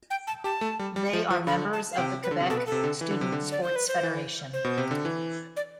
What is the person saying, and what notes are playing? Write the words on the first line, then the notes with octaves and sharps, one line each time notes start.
They are members of the Quebec Student Sports Federation.
G5
A5
G4 A5
A3
G3
G3
F3
F3
D3 B5
A5
F5
C3 G5
B4
D3
C3
B2 A4
B4
A4
C3
D3
E3
D3
C3
D3
D5
C5
B4
C5
E3
C5
B2
C3
D3
E3
D5